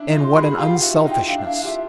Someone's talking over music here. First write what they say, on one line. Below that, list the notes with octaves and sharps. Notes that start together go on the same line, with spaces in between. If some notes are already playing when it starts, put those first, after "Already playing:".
And what an unselfishness!
Already playing: D4 E4
D#4 F4
C6
F#4 G#4
B5
F4 G4 F5
F#5
E4 F#4
D#4 F4
G5
D4 E4 F5
D4 E4 F5
F4 G4 E5